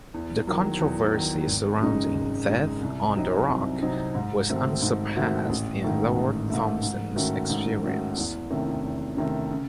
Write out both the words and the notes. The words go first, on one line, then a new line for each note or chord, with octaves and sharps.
The controversy surrounding "Death on the Rock" was "unsurpassed" in Lord Thomson's experience.
E2
D#3 F#3
E2
D#3 F#3
G#1
F#2 C#3 G#3 D#4
G#1
F#2 C#3 G#3 D#4
C2
C3 F#3 C4 D#4
C2
C3 F#3 C4 D#4
G#2
D#3 A3 C4 F#4
G#2
D#3 A3 C4 F#4
A1
G#2 D#3 A3
A1
G#2 D#3 A3
G#2
D#3 A3 C#4 F#4
G#2
D#3 A3 C#4 F#4
E2
C3 D#3 A3 C#4
E2
C3 D#3 A3 C#4
C#3